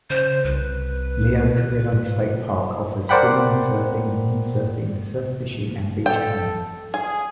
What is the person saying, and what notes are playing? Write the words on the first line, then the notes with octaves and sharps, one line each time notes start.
Leo Carrillo State Park offers swimming, surfing, windsurfing, surf fishing, and beachcombing.
C#3 C5
C2 B4
G#2
A#4 C5 D5 F#5 G5 B5
A4 G5
G#4 G#5